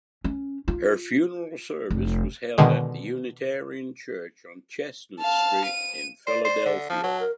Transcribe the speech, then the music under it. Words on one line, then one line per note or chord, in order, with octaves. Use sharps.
Her funeral service was held at the Unitarian Church on Chestnut Street in Philadelphia.
C#4
F4
F1
B2 D3 D#3 G#3
F5 A5
D#7
C5 D5
C5
D3
F3 A5
F#3
A#4